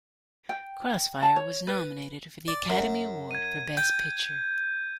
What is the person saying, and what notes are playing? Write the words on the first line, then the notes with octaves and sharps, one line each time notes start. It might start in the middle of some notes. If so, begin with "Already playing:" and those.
"Crossfire" was nominated for the Academy Award for Best Picture.
G5
A5
C#5
B4
D5
F#2
G#6 D#7
G5 G6